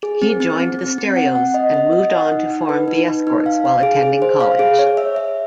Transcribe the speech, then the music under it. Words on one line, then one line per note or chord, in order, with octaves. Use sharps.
He joined The Stereos, and moved on to form The Escorts, while attending college.
G#4
C4
C4
C4
C4
C4
F#5
F#5
D#5
D#5
D#5
F#5
D#4
D#4
B4
D#4
D#4
D#4
F5
F5
G#4
G#4
C5
F5
G#4
C#5
E5
E5